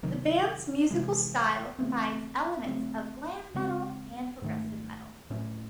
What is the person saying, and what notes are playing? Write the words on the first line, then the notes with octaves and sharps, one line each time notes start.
The band's musical style combines elements of glam metal and progressive metal.
C3 D#3 F#3
C3 E3 G#3
C#3 E3 A3 C4
C#3 F#3 A3 C4
C#3 G#3 C4
G#2 D#3 A3
A2 F#3 A3 C#4